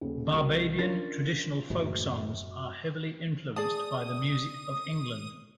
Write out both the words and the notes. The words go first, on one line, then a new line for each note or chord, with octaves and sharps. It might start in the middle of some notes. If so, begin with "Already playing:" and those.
Barbadian traditional folk songs are heavily influenced by the music of England.
D#1 C#3
C2 F#4 A#4
C#4 D4 F4 A#4 A6
D#1 F#2 A2 C#3
G#4 D5 A5 D#6